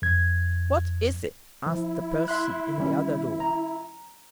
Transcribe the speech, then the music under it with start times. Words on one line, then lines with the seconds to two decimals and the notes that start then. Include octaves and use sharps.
"What is it?" asked the person in the other room.
0.02 F2 G#6
1.66 F3 E4
2.28 E5 C6 F#6
2.78 D#3 G3 C#4
3.40 A#5